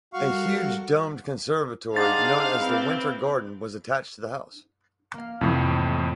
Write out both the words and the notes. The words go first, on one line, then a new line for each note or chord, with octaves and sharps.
A huge domed conservatory known as the winter garden was attached to the house.
G3 F#4 A4 A#4 F5 C#6
D4 D#4 G#4 C5 F5 F#5 D6 A6
C4 E4 B4
A#3 F5
F2 A2 C3 E3